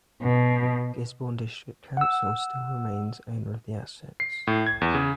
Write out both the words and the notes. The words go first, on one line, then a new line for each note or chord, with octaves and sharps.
Gisborne District Council still remains owner of the assets.
B2
F#5 E6
C7
A2
G#6
E2
C#3